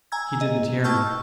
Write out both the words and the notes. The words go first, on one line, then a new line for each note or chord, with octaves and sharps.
He didn't hear me.
G#5 A#5 E6 G#6
D#5
G5 A5 C#6 E6 F6 G6